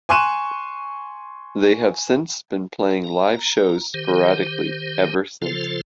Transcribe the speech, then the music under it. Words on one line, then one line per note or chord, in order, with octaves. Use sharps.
They have since been playing live shows sporadically ever since.
G#5 C6 C#6 F#6 D#7 E7
A#5
D#3 G4 C5
C#3 F3 F4 A4 C5